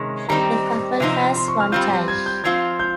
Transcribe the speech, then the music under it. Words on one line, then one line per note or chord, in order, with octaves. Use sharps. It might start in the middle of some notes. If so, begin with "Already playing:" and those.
The couple has one child.
Already playing: C3 D#3 G#3 C#4
D#3 G3 C4 D#4 A#5
C3 F3 C4 D#4
C6
C#6
F6
G3 C4 F4 G6
G#6
G6
F3 C4 F4 G#6
G6